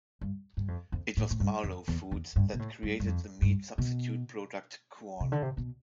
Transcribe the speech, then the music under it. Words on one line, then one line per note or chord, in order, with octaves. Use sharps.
It was Marlow Foods that created the meat substitute product Quorn.
G2
G2
F2
F2
A2
A2
G2
F2
E2
E2
G2
B2
A2
G2
G2
F2
G2
B2
C3
D3
C3
B2